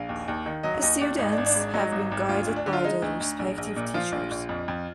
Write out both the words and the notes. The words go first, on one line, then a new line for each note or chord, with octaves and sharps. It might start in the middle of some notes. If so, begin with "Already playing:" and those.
Students have been guided by the respective teachers.
Already playing: A#1 F5
D#2
D#2
D#3
F#3 D#5
D#2 D#5
D#2 D5
G#1 D#4
D4
G#1
D4
G#2
D4
F#3 D#4
G#1
G#1
D2 F4
D2
D4
D3
F4
G#3 D#4
D2
D2
A#1
A#1
A#2
F3 F4
A#1
A#1
F2
F2